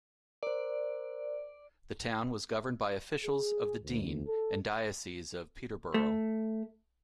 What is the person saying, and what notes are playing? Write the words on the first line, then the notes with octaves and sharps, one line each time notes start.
The town was governed by officials of the dean and diocese of Peterborough.
A#4 C5 D5
G#4
D2
A4
A3